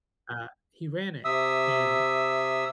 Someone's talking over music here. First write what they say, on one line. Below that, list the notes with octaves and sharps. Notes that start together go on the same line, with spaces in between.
uh, he ran it, and
C3 E5 D#6 E6